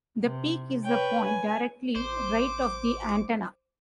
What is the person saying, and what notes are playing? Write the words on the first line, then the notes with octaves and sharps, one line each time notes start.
The peak is the point directly right of the antenna.
C3
B4 C#5 G5
G#5
A1 C5 D6